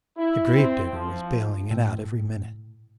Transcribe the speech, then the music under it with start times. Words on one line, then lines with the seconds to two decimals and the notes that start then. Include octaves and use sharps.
The gravedigger was baling it out every minute.
0.17 E4
0.54 C4
0.92 F3
1.71 A2